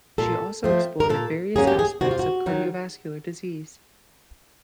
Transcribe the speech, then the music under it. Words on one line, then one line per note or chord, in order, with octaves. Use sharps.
She also explored various aspects of cardiovascular disease.
A#2 A4
F3 A3 C4
A#4
A#2 A4
F#3 A#3 C#4 G#4
G4
G#4
C3 F#4
F4
F#4
D#3 F#3